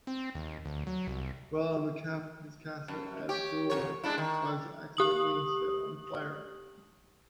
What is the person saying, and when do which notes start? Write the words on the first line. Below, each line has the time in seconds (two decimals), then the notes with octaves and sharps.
While on the Calf his castle at Barrule was accidentally set on fire.
0.07 C4
0.35 D#2
0.65 D2
0.87 F#3
1.07 C2
2.88 F#2
3.29 G4 C#5
3.70 F2 C#5
4.04 G#3 D4 E4
4.18 D#3
4.97 G4 D#6 F#7